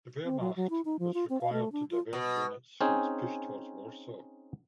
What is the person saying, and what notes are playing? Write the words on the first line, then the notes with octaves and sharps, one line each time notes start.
The Wehrmacht was required to divert units from its push towards Warsaw.
C4
F#3
F#3
E4
D#4
F3
F4
C4
F5
A3
D4
F4
B2
C4 C#4 D#4 G#4